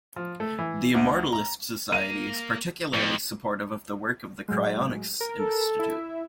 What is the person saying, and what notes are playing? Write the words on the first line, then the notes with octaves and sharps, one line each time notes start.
The Immortalist Society is particularly supportive of the work of the Cryonics Institute.
F3
A3
E3
D2
A#5
A#3 A#4 D#7
F2 A2 B3
A2 F#3 G#3
A#4
A4
E4 E5